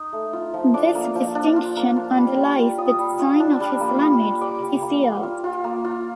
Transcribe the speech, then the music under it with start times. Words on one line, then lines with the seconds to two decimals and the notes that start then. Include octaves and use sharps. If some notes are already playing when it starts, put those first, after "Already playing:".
This distinction underlies the design of his language Tcl.
Already playing: D#4
0.13 A3
0.33 F4
0.54 F3
0.74 D4 D6
0.95 A#3
1.15 F3
1.35 D4
1.56 F4
1.77 A#3
1.96 F4
2.17 G3
2.37 G3
2.58 F4
2.78 F4 D#6
2.99 G3
3.19 F4
3.40 D4
3.60 G3
3.80 A#3
4.00 G3
4.21 G3
4.41 G3 D6
4.62 G3
4.82 A#3
5.03 A#3
5.23 F4
5.44 F4
5.64 A#3
5.84 F4